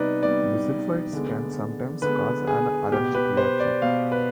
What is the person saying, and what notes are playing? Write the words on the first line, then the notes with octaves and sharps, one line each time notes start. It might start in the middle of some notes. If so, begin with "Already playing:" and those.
Bisulfites can sometimes cause an allergic reaction.
Already playing: C3 G3 B3 D#4 B4 D5
C3 G3 B3 D5
D3 G#3 B3
D3 G#3 B3 B4
G#4
B2 B3 G4
B4
C5
D5
B2 B3 F5
B4